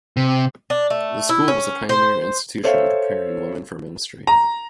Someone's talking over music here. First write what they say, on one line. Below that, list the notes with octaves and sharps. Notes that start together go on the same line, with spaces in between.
The school was a pioneer institution in preparing women for ministry.
C3
D4
A3
E4
C#4
C5
A4 C5 C#5 E5 F5
A#5